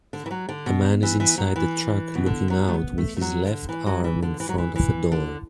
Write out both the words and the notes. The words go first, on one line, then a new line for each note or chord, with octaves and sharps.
A man is inside a truck looking out with his left arm in front of a door.
D3
E3
F#3
D3
B2
E3
E3
F#3
E3
B2
D3
F#3
A3
B3
A3
A3
F#3
D3
E3
F#3
E3
D3
E3
F#3
E3
E3
D3